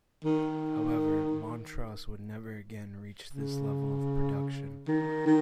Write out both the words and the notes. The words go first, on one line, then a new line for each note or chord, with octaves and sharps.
However, Montross would never again reach this level of production.
D#3
C#3
D#3
D#3